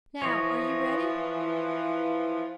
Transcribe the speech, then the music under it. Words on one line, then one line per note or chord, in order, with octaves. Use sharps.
Now are you ready?
E3 F3 C#5 D#5